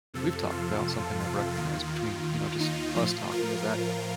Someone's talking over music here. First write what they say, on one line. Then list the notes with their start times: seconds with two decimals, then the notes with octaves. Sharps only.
we've talked about, something I've recognized between, you know, just us talking is that,
0.14 F2 C3 F3 A4
0.50 F4
1.20 F4
1.54 D#2 D#3 F4
2.60 D#4
2.96 A2 F3 F4
3.31 A#4